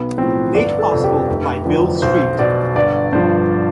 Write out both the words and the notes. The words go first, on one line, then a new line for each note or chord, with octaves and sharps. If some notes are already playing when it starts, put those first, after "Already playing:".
Made possible by Bill Street.
Already playing: B1 B3
A2 F3 C4
G1 D4
A4
F2 C3
G4
F1
E2 D3 F3
B1 C5
B2 D5
G1 D5
G2 F3 C5